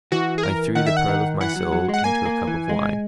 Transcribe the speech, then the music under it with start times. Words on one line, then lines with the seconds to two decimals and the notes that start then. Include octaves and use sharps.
I threw the pearl of my soul into a cup of wine.
0.12 E3 F#4
0.38 G#4
0.43 A#4
0.75 D#3 F#5
0.86 E5
0.97 F#5
1.08 D#3
1.41 E3 F#5
1.56 F#3
1.72 F#3
1.89 G#3 F#5
2.04 A#3 G#5
2.26 A#3
2.47 E3
2.69 G#3